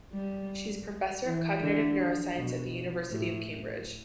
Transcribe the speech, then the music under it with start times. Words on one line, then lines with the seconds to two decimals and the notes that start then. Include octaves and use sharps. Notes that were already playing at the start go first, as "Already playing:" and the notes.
She is Professor of Cognitive Neuroscience at the University of Cambridge.
0.12 G3
1.25 E3
1.62 D3
2.37 B2
3.11 A2